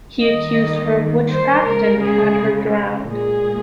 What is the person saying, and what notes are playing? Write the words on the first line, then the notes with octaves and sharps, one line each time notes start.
He accused her of witchcraft and had her drowned.
D#3 G3 A#3 D#5
C5
C#3 G#3 A#4
G#4
A#2 G#3 G#4